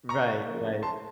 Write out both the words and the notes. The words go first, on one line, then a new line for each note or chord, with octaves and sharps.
Right. Right.
A#5 C#6
C#3 F3 A#3
A5 C6